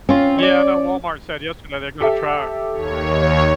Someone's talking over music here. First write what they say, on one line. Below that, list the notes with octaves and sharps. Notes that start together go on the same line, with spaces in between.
Yeah, I know Walmart said yesterday they're gonna try
C4 C#4 F4
C#5 D5
G4 A4 E5
D#2 C#5